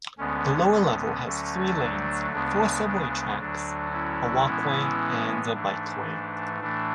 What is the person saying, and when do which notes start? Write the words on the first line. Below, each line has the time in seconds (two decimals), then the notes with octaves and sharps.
The lower level has three lanes, four subway tracks, a walkway and a bikeway.
0.18 D2 D3 G#3 B3 C#4
0.71 C#4
1.25 D2 D3 F#3 A3 C#4
1.78 D4
2.32 D2 C#3 G#3 B3 D4
2.86 D4
3.39 D2 D3 F#3 D4
3.92 C#4 E4
4.46 A2 E3 G#3 B3
5.53 G#2 E3 A3 D4
6.60 A2 E3 A3 D4